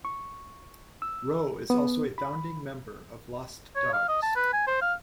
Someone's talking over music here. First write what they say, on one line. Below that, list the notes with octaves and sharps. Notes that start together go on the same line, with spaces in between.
Roe is also a founding member of Lost Dogs.
C#6
E6
B3
B5
C#5
F5
D#5
A5
B4
G#5
C5
F5